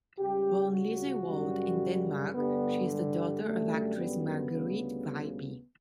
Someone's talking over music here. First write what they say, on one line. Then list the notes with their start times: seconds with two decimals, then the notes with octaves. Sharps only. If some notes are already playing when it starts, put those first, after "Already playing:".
Born Lise Wold in Denmark, she is the daughter of actress Marguerite Viby.
0.18 C#2 C#3 G3 G4
0.72 F#4
1.26 F#2 C#3 G3
2.34 G2 D3 G3 B3
2.89 G3
3.43 F#2 D3 G3 A3
3.96 B3
4.51 D2 C#3 G3